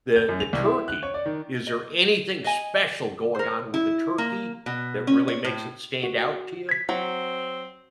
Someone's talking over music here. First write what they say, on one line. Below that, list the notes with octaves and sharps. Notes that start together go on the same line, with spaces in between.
the the turkey, is there anything special going on with the turkey that really makes it stand out to you,
G6
F#2
F7
C2
E4
F#6
C#5
D5
D#3
D#5
D#5 G#5
A#4 C5
E4
A#3
B2
C#4
C#5
A2
F#4
G#6 B6
F#3 C4